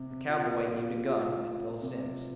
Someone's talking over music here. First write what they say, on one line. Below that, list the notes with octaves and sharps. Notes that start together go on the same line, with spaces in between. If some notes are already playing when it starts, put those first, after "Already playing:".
A cowboy aimed a gun at Phil Simms.
Already playing: C3
F4
F4
F4
F4
C3